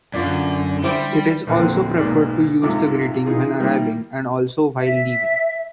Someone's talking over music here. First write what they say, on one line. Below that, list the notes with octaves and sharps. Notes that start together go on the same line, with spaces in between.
It is also preferred to use the greeting when arriving and also while leaving.
F#2 D3 F4 D5
G3 E4 C5 D6
A#1 E2 D3 F3 A#3 C4
B1 G#2 G#3 A#3 B3 D5
C2 G#2 C3 A3 F4 D6
E3 D#4 F4 G#4
D#3 G3 A#3 E4 A#4
E5